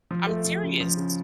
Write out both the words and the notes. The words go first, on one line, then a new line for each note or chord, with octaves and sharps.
I'm serious.
F3
A3
F3
C#3
F3
C#3